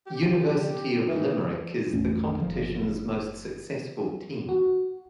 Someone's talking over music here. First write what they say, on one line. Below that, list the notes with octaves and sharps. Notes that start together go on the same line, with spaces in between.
University of Limerick is the competitions most successful team.
G4
D#3 E3
A1 F2 A3 C#4
F#1 F3
F#4